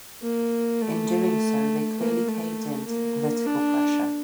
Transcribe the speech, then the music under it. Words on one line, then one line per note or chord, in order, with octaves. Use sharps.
In doing so, they clearly caved in to the political pressure.
A#3
A3
A#3
A3
A#3
D4